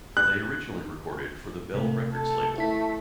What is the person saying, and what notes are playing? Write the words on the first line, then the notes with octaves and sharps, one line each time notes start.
They originally recorded for the Bell Records label.
F#6
C3 A3
A4
A3 E4 B6